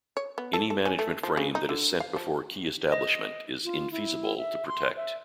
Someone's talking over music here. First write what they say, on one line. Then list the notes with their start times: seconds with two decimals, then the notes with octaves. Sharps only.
Any management frame that is sent before key establishment is infeasible to protect.
0.17 C#5
0.38 B3
0.53 A4
0.70 A4
0.85 C#4
0.99 A3
1.23 F3
1.37 C#3
1.55 D#4
1.69 D3
2.00 F5
2.16 F3
2.92 D#5
3.65 F4
3.91 E4
4.38 E5
4.67 C6
4.97 E5